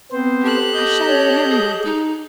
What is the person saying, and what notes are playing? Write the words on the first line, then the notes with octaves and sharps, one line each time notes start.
I shall remember this.
B3 C4 C5
G4 A4 F#6
D#5 G6
C#5
G#4
D#4